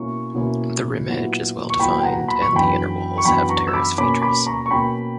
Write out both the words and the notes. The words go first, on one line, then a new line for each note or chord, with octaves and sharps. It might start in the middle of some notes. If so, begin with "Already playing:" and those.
The rim edge is well-defined and the inner walls have terrace features.
Already playing: B2 A#3 C#4 E4 C#6
B2 A#3 C#4 E4
A#2 F#3 B3 E4
C#6
A#2 F#3 B3 E4 G5 B5
G5
F#5 A#5
B5
C#6
F#2 E3 B3 D4 G5 B5
C#6
F#2 E3 B3 D4 G5 B5
A#5 C#6
E6
B5 D6
B2 A#3 C#4 B5 D6
B5 D6
A#5 C#6
C#6
B2 A#3 C#4 G5 B5